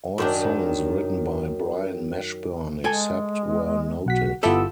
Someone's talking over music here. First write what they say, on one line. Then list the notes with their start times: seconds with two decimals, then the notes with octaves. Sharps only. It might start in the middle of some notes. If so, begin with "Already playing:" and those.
All songs written by Brian Mashburn except where noted.
0.18 F#2 D#3 D4
2.84 G#3 A4 G5 G#5
4.06 B1 F#4 F#5 B6
4.43 G1 B3 E4 F4 G4 A4 E6